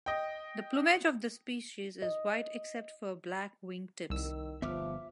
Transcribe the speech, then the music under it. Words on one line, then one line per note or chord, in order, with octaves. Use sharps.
The plumage of this species is white except for black wing tips.
D#5 G5
D#5
C2 D#3 E6
G1 F3 B3 E5 D6 F6